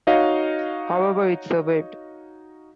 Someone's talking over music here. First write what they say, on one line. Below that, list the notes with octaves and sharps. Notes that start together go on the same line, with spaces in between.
However, it survived.
D#4 F#4 C#5 D#5 F5